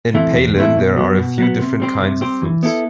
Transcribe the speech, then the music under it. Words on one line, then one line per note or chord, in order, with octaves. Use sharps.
In Pailin, there are a few different kinds of foods.
C3 E3 A3 E4
E2
C3 E3 A3 E4
B2
F#3 B3
B2
F#3 B3
C3
G3 C4 G4 C5
C3
G3 C4 G4 C5
E3
B3 E4 A4